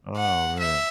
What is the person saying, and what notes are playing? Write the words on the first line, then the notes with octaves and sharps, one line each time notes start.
Oh, man.
F#5
E5